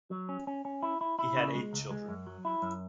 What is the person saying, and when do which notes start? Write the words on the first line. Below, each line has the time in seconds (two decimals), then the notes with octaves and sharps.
He had eight children.
0.11 F#3
0.29 C#4
0.47 C#4
0.65 C#4
0.83 E4
1.01 E4
1.19 E4
1.37 C#3
1.55 G#3
1.73 C#2
1.91 G#3
2.09 F#2
2.27 F#3
2.45 E4
2.62 F#2